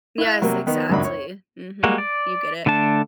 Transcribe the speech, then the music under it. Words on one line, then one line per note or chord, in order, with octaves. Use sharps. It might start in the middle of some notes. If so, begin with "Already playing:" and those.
Yes, exactly, mhm, you get it.
E4 F5 F#6
C3 F#3 G3 A#3
D#3 B3 D#4
G#1 C#2 F#2 F#3 D4 B5
C#5
G3 G#3 A#3 F#4
D5
D3 A3 D4 A5